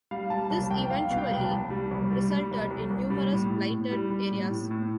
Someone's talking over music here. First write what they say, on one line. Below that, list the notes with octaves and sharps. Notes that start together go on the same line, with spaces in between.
This eventually resulted in numerous blighted areas.
G3 F5
G3 A5
C2 A5
C2 G5
C2 F5
B2 F5
G5
C2
A5
C2
G3
C2
G3
G3
C2
C2
C2
G3
A2
A2
A2
G3
G3
A2
A2
A2